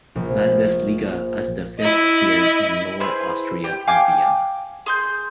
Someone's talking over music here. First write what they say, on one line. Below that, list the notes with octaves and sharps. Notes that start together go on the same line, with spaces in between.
Landesliga as the fifth tier in Lower Austria and Vienna.
A#1
E4 D#5
E4 G#4 B4 C5
G4 G5
F5 G5 G#5 D6
G#4 C6 G6